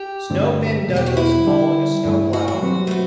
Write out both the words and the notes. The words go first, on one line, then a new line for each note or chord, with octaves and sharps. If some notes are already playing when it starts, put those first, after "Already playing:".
Snow pinned Douglas following a "Snow Plow".
Already playing: G4
G2 D3 A3 C4
E2 B2 G3
G4
F#4
E4
D3 G3 D4 G4
G2 E3 A3
F#4
F#4
F#3 C4 G4 B4
A3
B3